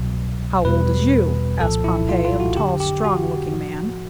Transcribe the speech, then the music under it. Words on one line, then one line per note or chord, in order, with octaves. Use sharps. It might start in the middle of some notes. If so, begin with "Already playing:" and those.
"How old is you?" asked Pompey of a tall, strong-looking man.
Already playing: C2 B2 F#3
E2 B2 G3 B4
C2 A#2 F3 A4
E4
F4
F4
F#4
F2 D3 F#3 G4
G4
F#4
A2 F3